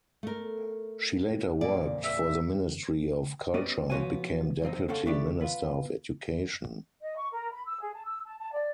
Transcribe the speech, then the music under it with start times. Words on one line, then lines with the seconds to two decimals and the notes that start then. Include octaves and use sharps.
She later worked for the Ministry of Culture and became Deputy Minister of Education.
0.23 A3 A#4
1.61 F2 A#2 D5
2.04 E5
3.54 G3 B3 C#4 D5 D#5
3.90 B1 F3 B3 F#4 C#5 G#5
4.62 C2 F2 C4 D#4
4.88 C#3 C4 C#4 A4 F#5
5.05 D2 D3 A3 E4 G4 D5
5.41 B3 F4
7.00 D#5
7.17 C#6
7.32 A#4
7.51 B5
7.66 E6
7.81 G#4
7.94 A5
8.06 E6
8.24 A5
8.38 A5
8.51 D5